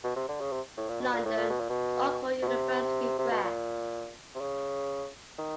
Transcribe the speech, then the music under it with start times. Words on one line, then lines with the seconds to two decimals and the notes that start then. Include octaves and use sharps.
London: Oxford University Press.
0.04 B2
0.16 C3
0.28 D3
0.40 C#3
0.52 C3
0.77 A2
0.89 A#2
1.01 B2
1.13 A#2
1.25 A2
1.37 A#2
1.50 B2
1.60 A#2
1.69 B2
2.42 B2
2.47 C3
3.19 C3
3.31 B2
3.43 A#2
4.35 C3
4.41 C#3
5.38 D#3